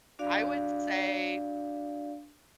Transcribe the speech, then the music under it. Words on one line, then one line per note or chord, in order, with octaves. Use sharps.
I would say,
D4 F#4 D5 F5